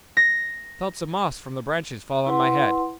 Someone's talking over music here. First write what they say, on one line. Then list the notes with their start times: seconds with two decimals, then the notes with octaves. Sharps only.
I felt some moss from the branches fall on my head.
0.17 A#6
2.26 E4 B4 F#5 C6